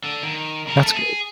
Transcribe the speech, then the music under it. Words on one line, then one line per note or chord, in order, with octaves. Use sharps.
That's good.
D3
D#3
C#3 A#4
A3 A4
G#4